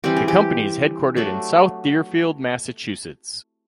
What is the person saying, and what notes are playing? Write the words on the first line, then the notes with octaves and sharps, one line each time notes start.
The company is headquartered in South Deerfield, Massachusetts.
E3 G3 C4 G4
G#4
G4
F#3 A3 D4